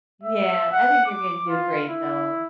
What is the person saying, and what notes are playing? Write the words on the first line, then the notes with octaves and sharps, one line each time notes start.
Yeah, I think you're gonna do great though.
E5
F#5
D6
F4
E4